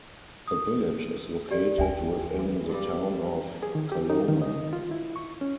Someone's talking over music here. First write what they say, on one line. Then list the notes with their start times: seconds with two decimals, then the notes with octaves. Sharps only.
The village is located within the Town of Coloma.
0.48 D#6
1.51 G4 D5
1.78 D#2 E5 G5 G#5
2.39 E3
2.70 G2 G3
3.63 G#4
3.75 D#3
3.92 G4
4.10 D#4
4.28 D#3
4.42 D#5
4.73 F4
4.91 E4
5.16 C#6
5.41 C#4